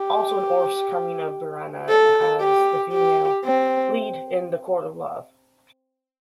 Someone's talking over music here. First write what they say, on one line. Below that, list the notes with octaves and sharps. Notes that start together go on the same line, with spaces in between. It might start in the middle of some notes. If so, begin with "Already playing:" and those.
Also in Orff's "Carmina Burana" as the female lead in the Court of Love.
Already playing: G4
A4
G4
G4
C4